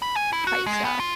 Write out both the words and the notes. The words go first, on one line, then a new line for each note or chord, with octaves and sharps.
type stuff.
B5
G#5
E4
F#4
G#3
B3
F4